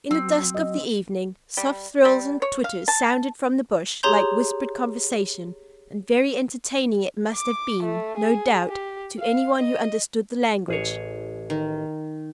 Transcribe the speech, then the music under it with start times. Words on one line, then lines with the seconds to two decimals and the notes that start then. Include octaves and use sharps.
In the dusk of the evening, soft thrills and twitters sounded from the bush, like whispered conversation; and very entertaining it must have been, no doubt, to any one who understood the language.
0.11 F#3 C4
0.54 D#5
1.57 G3
2.05 G3
2.42 C#5
2.64 F5
2.88 A5
4.03 G4 G#4 C#5 A#5 C6 G6
7.35 D6
7.83 A3
8.18 G#4
8.69 G4
9.20 F5
9.59 D#5
10.68 A1 G#4 C#5
11.50 D#3